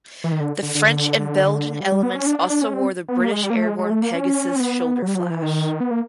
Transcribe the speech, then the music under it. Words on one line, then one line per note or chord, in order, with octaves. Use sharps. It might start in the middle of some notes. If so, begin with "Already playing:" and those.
The French and Belgian elements also wore the British airborne Pegasus shoulder flash.
E3
D#3
D3
D3
D3
G3
G3
B3
C#4
D4
D4
D4
C#4
C4
B3
A#3
G#3
G3
A#3
A3
G#3
G#3
A3
A#3
C#4
C4
B3
F#3
G3
F#3
F3
E3
D#3
B3
A#3